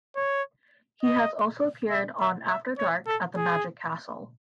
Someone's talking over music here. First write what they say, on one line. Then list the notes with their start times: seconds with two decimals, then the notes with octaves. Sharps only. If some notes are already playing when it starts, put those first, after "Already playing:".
He has also appeared on After Dark At The Magic Castle.
0.16 C#5
1.03 D#5
1.90 E5
2.20 E5
2.49 E5
2.78 C#5
3.07 A4
3.36 G#4